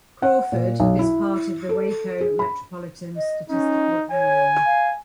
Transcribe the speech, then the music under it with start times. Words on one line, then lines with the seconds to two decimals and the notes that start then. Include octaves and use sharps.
Crawford is part of the Waco Metropolitan Statistical Area.
0.22 F#5
0.52 A#2
0.80 B1
0.99 E4
1.69 A4
2.21 G#4
2.39 B5
3.16 D#5
3.50 C#4 D#4
4.12 C#5 G#5
4.66 F5